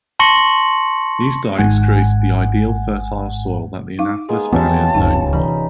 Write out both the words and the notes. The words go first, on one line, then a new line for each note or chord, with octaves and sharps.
These dykes created the ideal fertile soil that the Annapolis Valley is known for.
A5 C6 C#6 A#6 C#7 F#7
G#1 G#2 F#5 G#5
D#4 F5 D6
G#3 A#3 B3 G#4
E2 E3 B3 C#4 F4 G4 A5
D1 C#2 F#2 D#4
C3 E3 D#4 B5